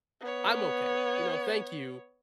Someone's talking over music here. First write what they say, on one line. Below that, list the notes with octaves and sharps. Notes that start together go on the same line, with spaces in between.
I'm okay." You know, "Thank you,
B3 C#5